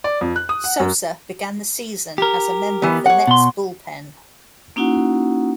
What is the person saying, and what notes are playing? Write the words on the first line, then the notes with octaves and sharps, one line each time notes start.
Sosa began the season as a member of the Mets bullpen.
D5
F2
F#6
D#6
F#5
F#2
G4 A#4
E3 B3
C#5 F#5
B2 C6
A#3 C#4 D#4 E4 F#4 F#5